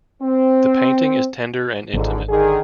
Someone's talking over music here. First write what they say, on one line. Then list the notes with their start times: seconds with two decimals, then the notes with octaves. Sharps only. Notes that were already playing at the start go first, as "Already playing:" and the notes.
The painting is tender and intimate.
0.22 C4
1.94 G#1 C#2 G#2 D3
2.29 D3 D#3 G#4